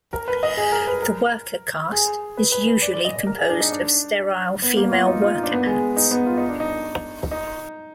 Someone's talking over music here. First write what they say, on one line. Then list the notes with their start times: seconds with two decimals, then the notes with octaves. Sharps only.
The worker caste is usually composed of sterile female worker ants.
0.13 A#4
0.28 B4
0.43 D#5
0.57 G#4
0.72 A#4
0.87 B4
1.02 A#4
1.92 G#4
2.37 B4
2.52 B4
2.67 B4
2.82 D5
2.93 D5
3.05 D#5
3.16 D5
3.27 A#4
3.38 G#4
3.49 D4
3.60 D#4
3.72 D4
4.62 B3
4.77 A#3
4.92 F4
5.07 D#4
5.22 F4
5.35 D#4
5.43 D4
5.52 B3
5.66 G#3
5.96 D#4
6.11 B3
6.26 F4
6.37 D#4
6.49 D4
6.60 D#4
7.31 D#4